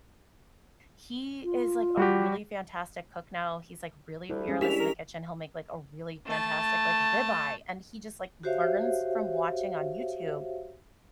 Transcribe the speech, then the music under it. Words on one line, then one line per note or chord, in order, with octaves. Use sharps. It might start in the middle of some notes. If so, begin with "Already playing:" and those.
he is, like, a really fantastic cook now. He's, like, really fearless in the kitchen, he'll make, like, a really fantastic, like, rib eye, and he just, like, learns from watching on YouTube.
F4
G3 F#4 G4
D2 G3 E4
G#3 C#4 G#4
D#2 D4 E4 G4 B6 F7
A#4
A3 A5
F#4 G4 C5 C#5 E5 F5